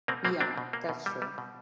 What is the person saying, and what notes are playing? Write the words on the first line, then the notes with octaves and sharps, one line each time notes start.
Yeah, that's true.
B2 A#3 C4
B2 A#3 C4
A#3 C4 D4
B2
A#3
B2
G3
G3
B2